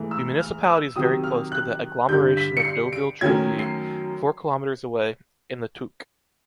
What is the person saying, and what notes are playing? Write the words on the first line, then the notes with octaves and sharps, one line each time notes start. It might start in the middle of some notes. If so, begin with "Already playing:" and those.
The municipality is very close to the agglomeration of Deauville-Trouville, four kilometers away, in the Touques.
Already playing: G#2 E3 A3
E6
F6
E6
C3 D#3 F#3 D#6
F6
F#6
G2 D3 G3 G6
B6
C#7
C7
D7
F#2 D#3 F#3 A3 C#4 G#6
C7